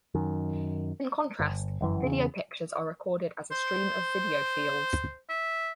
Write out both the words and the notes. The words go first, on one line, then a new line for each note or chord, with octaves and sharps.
In contrast, video pictures are recorded as a stream of video fields.
F#2 D#3
G1
G1 F#2 E3
E2 C#3
C5
E5